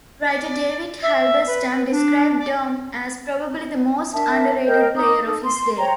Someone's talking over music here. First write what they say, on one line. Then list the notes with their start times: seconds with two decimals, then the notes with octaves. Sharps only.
Writer David Halberstam described Dom as probably the most underrated player of his day.
0.24 D5
1.02 E5
1.46 B4
1.90 D4
2.38 D5
4.13 D4 A#4 E5 A5
4.66 A#4 D#5 G5 G6
4.96 D#4 A#5 D6 D#6
5.25 D#4 A4
5.43 C6
5.79 C5 C#5 G5 A#5